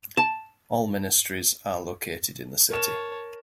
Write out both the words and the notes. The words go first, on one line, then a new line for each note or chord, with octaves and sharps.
All ministries are located in the city.
A5
A#4 C#5 A5 E7